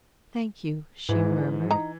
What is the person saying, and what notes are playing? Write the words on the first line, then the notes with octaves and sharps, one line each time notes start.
"Thank you," she murmured.
G#2 E3
D#4 A#5